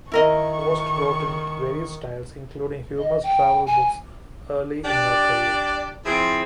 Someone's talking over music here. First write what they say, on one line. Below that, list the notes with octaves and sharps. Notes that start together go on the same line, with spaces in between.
Post wrote in various styles, including humorous travel books, early in her career.
D#3 E4 A#4 D#5 C#6
D#5
G5
G#5
D4 G4 D5
F3 C4 E4 G#4